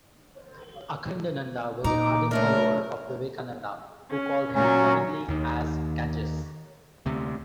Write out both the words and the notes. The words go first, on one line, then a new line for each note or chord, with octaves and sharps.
Akhandananda was an ardent follower of Vivekananda, who called him lovingly as "Ganges".
A#2 D#4 A#5 D6
C#3 F#3 A3 D4 A#4
C#4
A#2 F#3 C#4
D#2 D#3
D2 C3